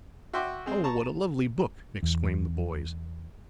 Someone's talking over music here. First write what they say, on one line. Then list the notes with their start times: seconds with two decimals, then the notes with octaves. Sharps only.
"Oh, what a lovely book!" exclaimed the boys.
0.33 F#4 E5 G5 C6 D6
0.66 G#3 C4
0.84 A5 A#5 C#6
2.03 E2